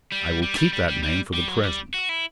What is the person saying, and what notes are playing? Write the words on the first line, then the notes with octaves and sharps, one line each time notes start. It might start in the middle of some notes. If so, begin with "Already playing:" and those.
I will keep that name for the present.
G3
G3
A3
G3
G3
G3
G3
G3
F#3
G3
F#4
E4